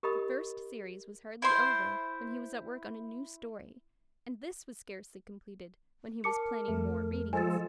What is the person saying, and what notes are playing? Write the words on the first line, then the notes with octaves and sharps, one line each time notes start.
The first series was hardly over, when he was at work on a new story, and this was scarcely completed when he was planning more readings.
G4 A#4 D#5 B5 D#6
E4 C5 C6
A#4 A5 D6 C#7
F2 A3
F3 G#3 F4 A4 G#5 A6